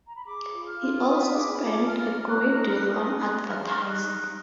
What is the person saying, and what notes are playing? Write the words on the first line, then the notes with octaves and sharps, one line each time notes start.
He also spent a great deal on advertising.
A#5
B5
G#4 D6
F4
F6
F4
B4 D#6
G#4 D6
B5
F4 D6
G#4 F6
D#4
F#6
D#4
B4 F6
G#4 D#6
D#4 F#6
G#4 F6
D#4
F#6
D#4